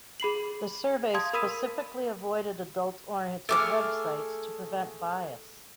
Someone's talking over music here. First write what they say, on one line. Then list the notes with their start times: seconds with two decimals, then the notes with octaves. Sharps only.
The survey specifically avoided adult-oriented websites to prevent bias.
0.20 G#4 B5 C7 F#7
1.14 F5 A5 C6 D#6 G#6
1.33 A#4 B5 D#6 E6 B6 D#7
3.49 A3 G#4 A4 D6 F6